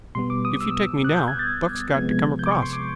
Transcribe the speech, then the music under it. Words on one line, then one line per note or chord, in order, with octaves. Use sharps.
If you take me now, Buck's got to come across.
B2 G3 B3 C6
D6
D#6
E6
F#6
G6
G#6
A6
C3 F3 G#3 B3 G#6
G6
D6
C#6
C6
D6